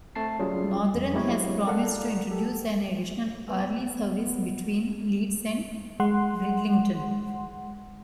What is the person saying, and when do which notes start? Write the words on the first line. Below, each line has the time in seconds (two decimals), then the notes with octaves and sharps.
Northern has promised to introduce an additional hourly service between Leeds and Bridlington.
0.15 A3 C4 A5 C7
0.39 F#3 G3 C#4 F4 G#4
0.95 F2
1.13 F#3 G#3 C4 E4 G4 C#5
1.67 A4 A#4 D5 F5 F#5
2.31 G4 A4
3.49 B3
6.00 G#3 F#5 C6